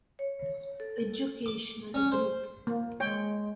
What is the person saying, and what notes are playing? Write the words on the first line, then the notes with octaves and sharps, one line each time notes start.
Educational Group.
C#5
A4
D6
C#4
C5
A#3
G#3 C#5 G5